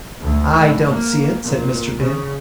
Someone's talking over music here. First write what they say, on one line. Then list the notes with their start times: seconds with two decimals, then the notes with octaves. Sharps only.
"I don't see it," said Mr. Bib.
0.20 D2
0.55 A2
0.86 A#3
1.42 A#2
1.97 C#3